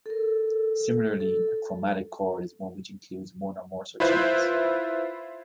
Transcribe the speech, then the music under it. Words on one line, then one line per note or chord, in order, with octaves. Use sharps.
Similarly, a chromatic chord is one which includes one or more such notes.
A4 A#4
A4
E4 F4 B4 C5 E5